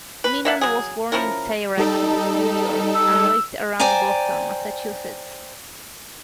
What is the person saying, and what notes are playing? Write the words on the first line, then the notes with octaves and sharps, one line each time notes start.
Menand was born in Syracuse, New York, and raised around Boston, Massachusetts.
B4
A#3 E5 F#5
F#3 G#4
F3 C#4 E4 A#4
G3 D#4 A4
E6
C5 D5 G5 G#5 A#5